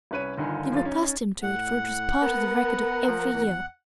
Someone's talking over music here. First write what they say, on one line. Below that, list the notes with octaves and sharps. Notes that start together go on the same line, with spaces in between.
They were accustomed to it, for it was part of the record of every year.
C2 C#4 B4 C#5 D#7
G1 D3 D#3 F4 G#5
A1 F3 F4 A4 A6
C#4 D#4
A2 F#5
B3 A#4
F3
E2